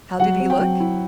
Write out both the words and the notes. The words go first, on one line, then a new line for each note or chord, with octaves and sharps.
How did he look?
F#3 F#5
C4
G5
F#3
E4